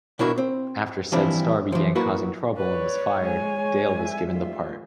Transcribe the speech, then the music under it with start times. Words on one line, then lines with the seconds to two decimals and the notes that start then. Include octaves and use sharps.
After said star began "causing trouble" and was fired, Dale was given the part.
0.19 B2 D4 E4 F#4 A4 A#4
0.38 C4
1.12 E3 F3 G3 C4 D4 E4
1.72 E3 F3
1.95 A#3 E4 F#4 B4
2.57 B4 C#5 D5
3.21 G#3 G#5
3.98 G#2 G3 E5
4.31 A3 F4